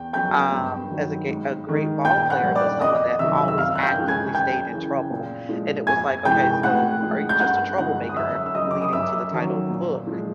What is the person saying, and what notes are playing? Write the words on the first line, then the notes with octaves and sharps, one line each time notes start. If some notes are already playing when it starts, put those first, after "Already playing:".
um, as a ge a great ball player, but someone that always actively stayed in trouble. And it was like, "Okay, so are you just a troublemaker," leading to the title of the book.
Already playing: E2 G5
C#3 F#3 G5 G6
G2
D#3 F#3
G#2
D#3 G#3
A#2 G5 G6
F#5 F#6
G3
D5 D6
F2 D#5 D#6
C3 D#3 F#3 E5 E6
E6
F#2 F5 F6
F#6
G5 G6
C#3 F3 G#3
G#5 G#6
F#2 G5 G6
C#3 E3
A#2
F3 G#3
F2 G#5 G#6
C3 E3 G#3 G5 G6
A2 F#5 F#6
F3 G#3
G6
G2 F#5 F#6
D3 F3 G#3 F#5 F#6
D#6
F#2 E5 E6
E6
C#3 F#3 D#5 D#6
D6
D#6
F#2 E5 E6
D#3 F#3
A#2
F3 G#3